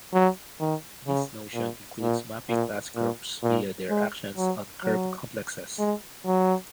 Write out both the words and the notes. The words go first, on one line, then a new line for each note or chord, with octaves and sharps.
This notion includes mapping class groups via their actions on curve complexes.
F#3
D#3
C#3
A#2
A#2
A#2
A#2
A#2
G#3
F#3
F#3
G#3
F#3